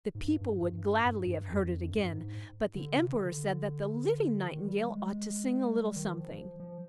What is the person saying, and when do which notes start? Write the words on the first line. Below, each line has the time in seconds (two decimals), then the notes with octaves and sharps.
The people would gladly have heard it again, but the Emperor said that the living Nightingale ought to sing a little something.
0.15 G#2
0.20 G2
0.41 G2
0.63 G2
1.06 G2
1.27 G2
1.48 F2
1.91 G2
2.12 G#2
2.76 D3
2.97 C3
3.14 D#3
3.19 D3
4.47 D#3
4.68 G3
4.89 G#3
5.75 G3
5.96 D#3
6.17 F3
6.60 F3